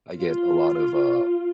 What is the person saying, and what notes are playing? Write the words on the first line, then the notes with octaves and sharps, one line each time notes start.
I get a lot of, uh,
F4